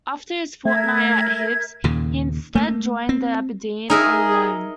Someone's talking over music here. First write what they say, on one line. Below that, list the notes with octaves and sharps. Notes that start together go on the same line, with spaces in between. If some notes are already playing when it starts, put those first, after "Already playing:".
After his fortnight at Hibs, he instead joined Aberdeen on loan.
A3 A#4 E5 G#6
D#2 A#2 C#3
A3 A#3
C4
D#4 G#4 A#4 E5